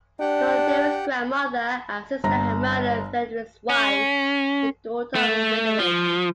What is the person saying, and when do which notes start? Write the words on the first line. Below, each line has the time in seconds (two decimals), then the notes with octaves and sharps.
Theuderic's grandmother and sister had murdered Theuderic's wife, the daughter of Witteric.
0.20 D4 G4 F#5 G5
2.24 G1 A#5
3.70 C#4
5.15 A3
5.79 F3